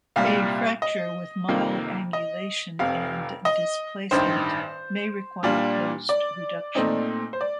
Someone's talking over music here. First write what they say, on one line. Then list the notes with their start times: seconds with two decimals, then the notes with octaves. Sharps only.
A fracture with mild angulation and displacement may require closed reduction.
0.16 C2 A#2 G3 F5
0.82 D#5
1.48 F2 C3 D#3 A#3 F4
2.13 D#5
2.79 F1 F2 C3 F5
3.45 D#5
4.11 A1 G2 D#3 C5
5.43 A#2 G3 D4 F4
6.09 D5
6.75 A#2 A3 C4 D#4
7.33 C5
7.41 D5